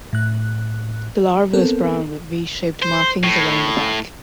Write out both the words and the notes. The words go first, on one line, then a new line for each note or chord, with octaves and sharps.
The larva is brown with v-shaped markings along the back.
A2 F#6
B3 C4 A4 A#4
C5
A2